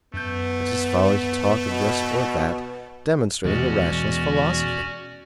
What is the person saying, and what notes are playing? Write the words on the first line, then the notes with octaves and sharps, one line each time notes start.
It is folly to talk of this or that demonstrating the rationalist philosophy.
F#2 A3 B3 G6
B2
E2 B2 G#3 C#4 F#4 D5